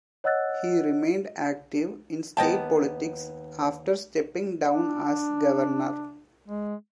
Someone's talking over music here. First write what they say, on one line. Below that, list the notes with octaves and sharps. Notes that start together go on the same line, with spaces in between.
He remained active in state politics after stepping down as governor.
C#5 D#5 F#5 E6 F#6 A6
D#2 B3 D#5 G5 A5
D4
G#3